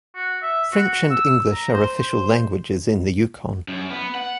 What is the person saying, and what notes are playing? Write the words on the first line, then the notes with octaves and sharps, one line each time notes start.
French and English are official languages in the Yukon.
F#4
E5
F#4
E6
A#5
C5
C5
F#2
B3
F#5